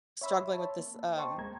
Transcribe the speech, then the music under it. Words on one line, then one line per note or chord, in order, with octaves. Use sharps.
Struggling with this, um,
C#5 E5 B5 C6 E6
C#5 A5
A#3
C5 D#5 G5 A5 C6 C#6
D2 G#3 A#3 A#5 G#6